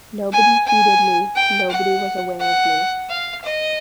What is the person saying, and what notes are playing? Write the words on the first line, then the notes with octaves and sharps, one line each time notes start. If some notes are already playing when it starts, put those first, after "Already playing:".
Nobody heeded me, nobody was aware of me.
G#5
G#5
G5
F#5
F#5
F5
D#5